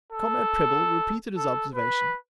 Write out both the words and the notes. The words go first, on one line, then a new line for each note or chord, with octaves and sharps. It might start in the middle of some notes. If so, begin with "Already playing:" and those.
Comrade Prebble repeated his observation.
A4
A4
B4